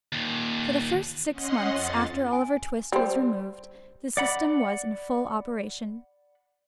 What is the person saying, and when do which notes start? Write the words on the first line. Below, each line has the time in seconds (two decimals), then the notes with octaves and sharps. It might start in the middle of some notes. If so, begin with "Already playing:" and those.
For the first six months after Oliver Twist was removed, the system was in full operation.
0.13 D#2 A#2
1.32 C#4 D#5 F#5 C6
1.69 F2 A6
2.33 G#5
2.92 G3 C5
4.17 D5 F#5 B5